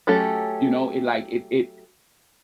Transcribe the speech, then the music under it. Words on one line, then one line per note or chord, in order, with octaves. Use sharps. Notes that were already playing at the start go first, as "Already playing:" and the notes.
You know, it like it it
F#3 A3 C#4 G4 A4